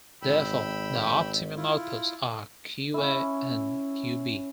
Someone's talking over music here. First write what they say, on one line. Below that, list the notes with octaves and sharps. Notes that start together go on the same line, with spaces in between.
Therefore, the optimum outputs are Qa and Qb.
G#1 G5 B5 E6
E4 F4
C#4 E4